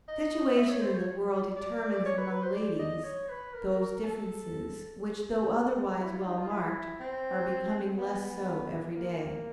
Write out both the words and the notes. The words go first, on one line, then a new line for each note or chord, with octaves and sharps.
Situation in the world determines among ladies, those differences, which though otherwise well marked, are becoming less so every day.
D#5
E5
C#5
C5
C#5
D5
C#5
B4
B4
C5
D5
D#5
C#5
B4
A#4
A4
E4
F4
D#4
F4
E4
C4
B3
A#3